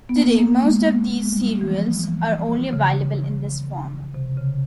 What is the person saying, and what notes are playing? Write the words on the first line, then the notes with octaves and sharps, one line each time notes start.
Today, most of these serials are only available in this form.
B3
A#3
A#3
G#3
G#3
G3
E3
F3
E3
C#3
C3
C#3